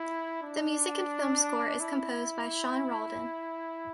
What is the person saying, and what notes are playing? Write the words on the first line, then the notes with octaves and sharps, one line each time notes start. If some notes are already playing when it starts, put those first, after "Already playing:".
The music and film score is composed by Sean Roldan.
Already playing: E4
D4
E4